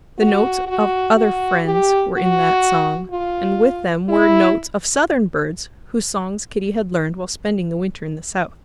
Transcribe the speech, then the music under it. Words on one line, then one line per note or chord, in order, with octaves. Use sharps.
The notes of other friends were in that song, and with them were notes of southern birds whose songs Kitty had learned while spending the winter in the South.
F#4
F#4
F#4
G4
F#4
F4
E4